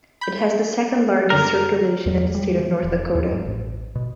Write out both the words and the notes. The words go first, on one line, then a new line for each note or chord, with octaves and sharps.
It has the second largest circulation in the state of North Dakota.
B5 G6
F#2 D3 G3 A#4
E2
G3
E3
E1
D#2
G2
A1
B2